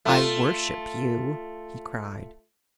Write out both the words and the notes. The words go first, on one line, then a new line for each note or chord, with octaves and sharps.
"I worship you," he cried.
A3 F4